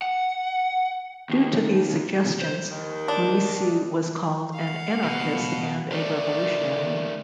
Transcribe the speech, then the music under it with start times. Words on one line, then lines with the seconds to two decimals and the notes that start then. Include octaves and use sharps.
Due to these suggestions, Luisi was called an anarchist and a revolutionary.
0.02 F#5
1.29 D#2
2.42 C5
2.71 D#2 D#3
3.08 D4
4.54 F5 F#5
5.04 B2
5.92 D#3 A3 D5